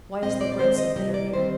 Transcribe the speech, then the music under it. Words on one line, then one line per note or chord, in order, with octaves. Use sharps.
"Why is their bread so bitter here?"
A#2 G#3 C4 D#5
D5
D5
D#3 G#3 C4 C5
D#5
C3 G3 A#3 D#5
D5
D#3 G3 C4 C5